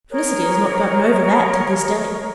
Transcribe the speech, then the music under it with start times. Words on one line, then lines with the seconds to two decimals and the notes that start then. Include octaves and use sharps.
Felicity has not gotten over that to this day.
0.10 G#4 A#4 C#5